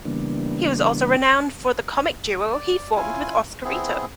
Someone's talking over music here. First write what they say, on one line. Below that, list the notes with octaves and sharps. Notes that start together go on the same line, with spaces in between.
He was also renowned for the comic duo he formed with Oscarito.
C#3 E3 G3 A#3 B3 D4
D5
C#4 E4 F4 G#5
B3 C4 E4 G#4